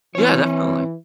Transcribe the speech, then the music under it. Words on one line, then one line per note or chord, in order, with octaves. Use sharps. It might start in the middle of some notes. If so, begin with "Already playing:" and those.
Yeah, definitely.
E3 C4 C#5